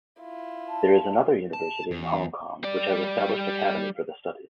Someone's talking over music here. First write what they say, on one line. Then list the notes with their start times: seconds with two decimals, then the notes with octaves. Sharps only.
There is another university in Hong Kong which has established academy for the studies.
0.21 E4 F4
0.68 A5
1.53 A5
1.91 E2
2.64 G3 D5